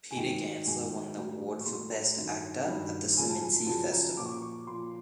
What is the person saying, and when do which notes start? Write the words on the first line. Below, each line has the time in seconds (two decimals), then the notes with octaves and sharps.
Peter Gantzler won the award for Best Actor at the Seminci festival.
0.11 G#5
0.16 G#2 D#3 F#3 G5
0.66 G#2 D#3 F#3 G#5
1.16 A2 F#3 A#5
1.61 C#6
1.66 A2 F#3 C6
1.91 A#5
2.17 G2 D#3 F#3
2.67 G2 D#3 F#3
3.17 F#2 C#3 F3 G#5
3.27 A5
3.38 G#5
3.67 F#2 C#3 F3 A5
3.92 A#5
4.17 A#2 F3 D6
4.25 C#6
4.32 D6
4.42 C#6
4.67 A#2 F3 C6